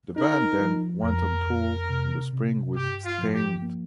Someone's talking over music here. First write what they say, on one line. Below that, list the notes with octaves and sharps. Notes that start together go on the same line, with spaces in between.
The band then went on tour in the spring with Staind.
D#4 A#4
F3
F2 A#4
F2
C3
C3
G2 G4
F4
F3
G4
A#3